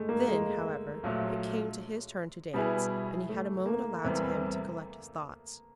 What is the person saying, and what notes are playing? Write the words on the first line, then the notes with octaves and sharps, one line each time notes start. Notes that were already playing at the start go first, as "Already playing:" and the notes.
Then, however, it came to his turn to dance, and he had a moment allowed to him to collect his thoughts.
Already playing: G#3 A3
A#3
G#3
A#1 A#2 F#3 A3
B2 G3 B3 E4 G#4
A3
A#3
E2 C3 E3 G3